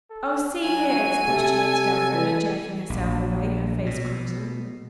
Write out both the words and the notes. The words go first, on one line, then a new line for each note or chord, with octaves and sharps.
"Oh, see here," expostulated Elfreda, jerking herself away, her face crimson.
A4
F#3 G#5
C3 A4
E3
A#1
B2